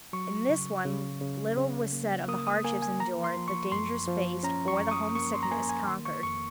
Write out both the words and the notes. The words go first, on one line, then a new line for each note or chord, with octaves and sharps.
In this one little was said of the hardships endured, the dangers faced, or the homesickness conquered.
F#3 C#6
C#3
C#3
C#3
C#3
A#3
A#3 D#6
D#6
A#3 G#5
G#5
F3 A#5
C6
F3
C#6
F#2 C6
F3
C#4 A#5
C#6
F#2
C#6
D#6
A#3 C#6
C6
A#5
A#3 G#5
G#5
D#3 C6
C#6
F2 C#6